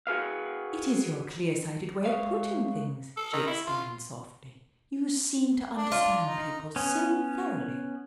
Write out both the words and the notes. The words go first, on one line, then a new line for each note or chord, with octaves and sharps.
"It is your clear-sighted way of putting things," she explained softly. "You seem to understand people so thoroughly."
F#4 G#4 B4 F5
G#3 G#4 B4 C#5 E5 F5
A4
D#3
E4
F4
D4
F4
D#4
B3 C#4